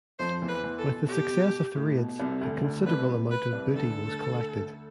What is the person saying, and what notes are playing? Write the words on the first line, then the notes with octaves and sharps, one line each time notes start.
With the success of the raids, a considerable amount of booty was collected.
F2 F3 C5
E2 E3
B4
E2 E3
A4
B2
B2 G4
B2
A2
B2
C2 C3
D2 D3
D2 D3
C2 C3 B4
A2
B4
C2 C3
D2 D3 A4